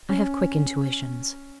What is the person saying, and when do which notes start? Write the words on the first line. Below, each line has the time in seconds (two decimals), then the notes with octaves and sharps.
I have quick intuitions.
0.09 C#4